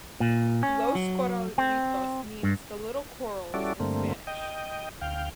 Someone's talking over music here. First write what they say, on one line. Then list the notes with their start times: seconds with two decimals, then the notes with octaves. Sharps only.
"Los Corralitos" means "the little corrals" in Spanish.
0.20 A#2
0.63 C#4
0.95 F#3
1.58 C4
2.43 G2
3.54 G3 C#4 E4 F#4 A4 D5
3.80 G2 D3 A3 A#3 C4
4.27 D#5 G5
5.01 D2 F5 G5